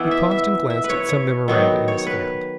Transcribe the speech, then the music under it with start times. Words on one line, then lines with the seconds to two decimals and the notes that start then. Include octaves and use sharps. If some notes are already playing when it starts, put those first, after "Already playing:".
He paused and glanced at some memoranda in his hand.
Already playing: E3 B3 E4
0.11 E5
0.31 E5
0.70 E5
0.84 B4
0.89 C#5
1.09 C#5
1.48 D#3 F#3 B3 D#4
1.88 C#5
2.07 B4